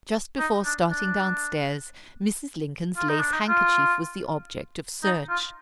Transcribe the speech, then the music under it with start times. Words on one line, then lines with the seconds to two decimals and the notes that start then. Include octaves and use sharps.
Just before starting downstairs, Mrs. Lincoln's lace handkerchief was the object of search.
0.39 D#4
0.65 D4
0.91 D4
2.97 F4
3.09 D#4
3.20 D4
3.33 D#4
3.49 F4
5.03 D#4
5.29 F4